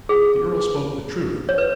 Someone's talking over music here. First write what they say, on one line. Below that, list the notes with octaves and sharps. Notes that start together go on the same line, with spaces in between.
The earl spoke the truth.
G#4
C#5
B4